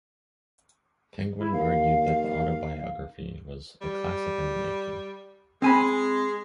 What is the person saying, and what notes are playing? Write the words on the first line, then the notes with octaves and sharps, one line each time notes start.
Penguin argued that the autobiography was "a classic in the making".
E4
D#2 F5
G3
G#3 C4 G#5 B5